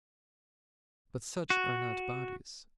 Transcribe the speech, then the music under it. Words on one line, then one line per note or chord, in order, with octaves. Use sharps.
But such are not bodies.
F#4